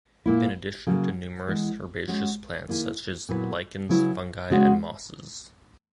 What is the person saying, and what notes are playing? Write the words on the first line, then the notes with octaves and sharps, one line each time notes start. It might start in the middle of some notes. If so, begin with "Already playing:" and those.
In addition to numerous herbaceous plants such as lichens, fungi and mosses.
A#2 A#3 E4
C#3 F#3 A#3
E3 G#3 B3
G#3 C#4 F#4
D#3 A#3 E4 G#4
A#2 F#3 B3 E4 B4
C#3 F#3 C#4 E4 B4
C#3 G#3 B3 F#4